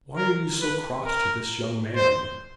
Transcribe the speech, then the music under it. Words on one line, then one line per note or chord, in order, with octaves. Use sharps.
'Why are you so cross to this young man?'
A#4
B4
A#4
C5